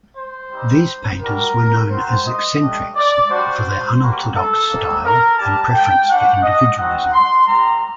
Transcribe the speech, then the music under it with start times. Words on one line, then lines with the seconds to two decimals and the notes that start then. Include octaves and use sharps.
These painters were known as "eccentrics" for their unorthodox style and preference for individualism.
0.17 C5
0.51 G3 C4 D#4 G4
1.21 G3 D4 F#4 A#4
1.90 C4 F#4 C5
2.25 D#5
2.60 A3 D4 G4
2.95 D5
3.30 G3 D4 F#4 C5
3.99 G3 A#3 F#4
4.35 A4
4.69 A#3 D#4 G4
5.04 A#4
5.39 G3 D4 G4 A5
5.73 G5
6.08 G3 D4 F#4 F#5
6.43 D#5
6.78 C4 D#4 F#4 F#5
7.13 C6
7.47 G3 C4 G4 A#5